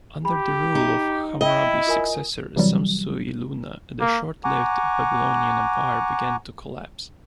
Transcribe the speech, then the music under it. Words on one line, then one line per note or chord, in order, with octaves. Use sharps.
Under the rule of Hammurabi's successor Samsu-iluna, the short-lived Babylonian Empire began to collapse.
G4 B5
D#4
E4 D#5 G5 G7
F4 A#4 G#5
C3 E3 F#3 G3
A#3
F#5 G#5 A#5 C#6 D6